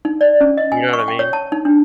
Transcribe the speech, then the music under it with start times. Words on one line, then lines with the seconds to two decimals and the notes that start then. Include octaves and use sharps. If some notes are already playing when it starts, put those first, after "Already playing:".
You know what I mean?
0.05 D#4
0.21 D5
0.41 C#4
0.57 D#5
0.72 G#5
0.93 C#6
1.08 G5
1.19 C#5
1.33 A5
1.52 D#4
1.65 D4